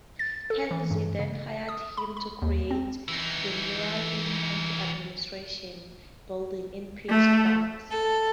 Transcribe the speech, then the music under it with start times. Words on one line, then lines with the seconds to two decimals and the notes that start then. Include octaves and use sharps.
Heinz then hired him to create the murals in Heinz administration building in Pittsburgh.
0.19 A6
0.50 A4
0.71 E3
0.91 G2
1.19 C#3
1.69 D#6
1.97 B5
2.17 B5
2.42 D#2
2.71 C4
3.08 E3 D#4
7.09 A3
7.90 A4